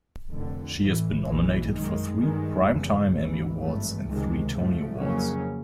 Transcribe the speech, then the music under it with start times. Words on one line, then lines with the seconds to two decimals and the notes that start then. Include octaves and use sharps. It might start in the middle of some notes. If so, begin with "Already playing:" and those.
She has been nominated for three Primetime Emmy Awards and three Tony Awards.
0.31 F1 F2 D3
0.77 A1 A2 E3
1.24 A#1 G#2 E3 G#3
1.71 F#2 D#3 G#3
2.19 G2 D#3 G#3
2.66 F1 E2 C#3
3.13 G#1 G#2 E3
3.59 G#1 G2 E3 A3
4.07 C#2 C3 D#3 G#3
4.54 G#2 F3 A3
5.00 F2 C#3 F#3 A#3 C#4